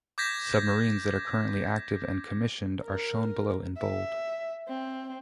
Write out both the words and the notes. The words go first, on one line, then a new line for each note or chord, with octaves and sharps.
Submarines that are currently active and commissioned are shown below in bold.
D6 G6 G#6 A#6 B6
A#4
E5
C4